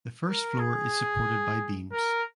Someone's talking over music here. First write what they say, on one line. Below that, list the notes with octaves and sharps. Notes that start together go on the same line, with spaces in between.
The first floor is supported by beams.
A#4
G#4
A#4